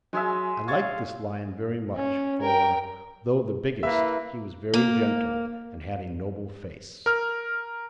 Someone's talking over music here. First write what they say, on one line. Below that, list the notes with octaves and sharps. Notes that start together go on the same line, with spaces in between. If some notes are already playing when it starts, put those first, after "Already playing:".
I liked this lion very much, for, though the biggest, he was very gentle, and had a noble face.
F#3 G#3 G#4 E5
F5 C#6 G#6 A6
C#4
A#4 G5
A#3 E4 B4 E5
A#3
A#4 F6